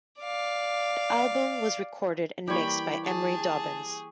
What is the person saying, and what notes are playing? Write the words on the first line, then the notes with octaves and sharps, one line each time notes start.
The album was recorded and mixed by Emery Dobyns.
D5 F5
E3 G3 A#3 G4 C#5 G5 B5 C#6
G#4 A5